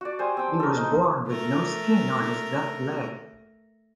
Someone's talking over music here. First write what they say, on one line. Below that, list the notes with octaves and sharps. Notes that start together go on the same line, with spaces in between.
He was born with no skin on his left leg.
F#4 D5
G3 C5 G#5 D#6
C4 G5 A5
A4 A#4
D#4
A3 A#4